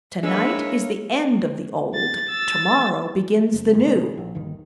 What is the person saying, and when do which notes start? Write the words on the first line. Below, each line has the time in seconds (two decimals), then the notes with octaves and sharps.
Tonight is the end of the old, tomorrow begins the new!
0.23 G#3 A#3 D4 B4 C#5 E5
1.95 A6
2.29 E6 A6
3.54 F#1
3.73 F1 G2 A#2 D#3
3.86 C3 D#3
4.17 A#1
4.35 G1 D#2 D#3